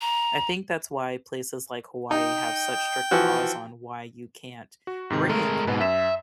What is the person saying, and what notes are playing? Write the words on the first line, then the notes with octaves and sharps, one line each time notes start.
I think that's why places like Hawaii have such strict laws on why you can't bring
A#5
D#4 G5
E3 F3 F#4
F#4
G#2 C3 D#3
G#3 A3 A#4
G#2 B2 B4
F#2 E5 B6 E7